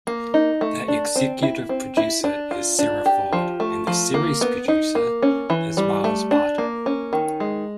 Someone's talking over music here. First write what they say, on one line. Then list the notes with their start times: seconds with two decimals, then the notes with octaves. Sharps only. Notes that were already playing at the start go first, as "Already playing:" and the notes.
The executive producer is Sara Ford and the series producer is Miles Barton.
0.07 A#3
0.34 D#4
0.61 A3
0.88 D4
1.16 C4
1.43 E4
1.69 C4
1.97 E4
2.24 D4
2.51 F4
2.79 D4
3.06 G4
3.33 F3
3.60 A3
3.87 F3
4.14 A#3
4.41 B3
4.68 D#4
4.95 A#3
5.22 C#4
5.50 E3
5.77 G3
6.04 A3
6.31 D4
6.58 A#3
6.86 C#4
7.13 D#3
7.40 G#3